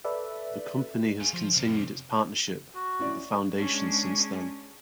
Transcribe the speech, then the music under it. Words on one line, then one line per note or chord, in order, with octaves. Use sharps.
The company has continued its partnership with the Foundation since then.
A4 B4 D5 E5
F4 G#4
F3
C3 F3
F#4
C#4 E4 D5
G#3 C#4 D4